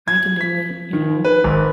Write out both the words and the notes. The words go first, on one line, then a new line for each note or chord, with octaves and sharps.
"I can do it," you know?
G#6
B6
D#3
B4
G#1